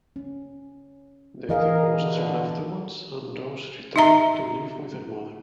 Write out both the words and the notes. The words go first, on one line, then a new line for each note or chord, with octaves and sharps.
They divorced soon afterwards and Rose returned to live with her mother.
C#4
E3 G#4 A#4 D#5 F5
G2 B2 D3
D#4 D#5 E5 A#5